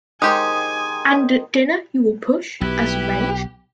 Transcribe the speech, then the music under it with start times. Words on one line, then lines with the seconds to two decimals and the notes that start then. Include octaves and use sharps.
And at dinner you will push, as arranged?
0.22 D#3 G#3 G4 C5 G#5 D#6
2.61 B1 E4 G4 B4